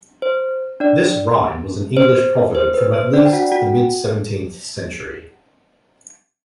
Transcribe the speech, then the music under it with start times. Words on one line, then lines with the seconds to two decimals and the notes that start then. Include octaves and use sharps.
This rhyme was an English proverb from at least the mid-seventeenth century.
0.22 C5
0.80 D4 D5
1.97 C5
2.55 C5
2.74 B4
2.93 C5
3.13 D4 D5
3.25 G5
3.33 F#4 F#5
3.43 G5
3.52 F#4 F#5